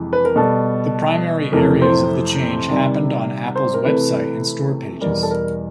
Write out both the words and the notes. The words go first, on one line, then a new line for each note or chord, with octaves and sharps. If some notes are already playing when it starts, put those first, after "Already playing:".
The primary areas of the change happened on Apple's website and store pages.
Already playing: F2 C3 E3 G#3
B4
A#4
B2 G3 A4
F2 C3 E3 A3 A#4
C5
C3 D#3 G3
C5
A#4
C3 E3 A3 B4
E2 B2 G3 A#4
A4
A#4